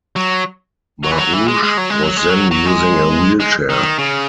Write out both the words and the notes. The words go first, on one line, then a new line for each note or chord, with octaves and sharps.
Maruge was then using a wheelchair.
F#3
F#3
E3
F#3
E3
G#3
G#3
F#3
G#3
F#3
G#3
F#3
F#3
G#3
G#3
D#3
C#3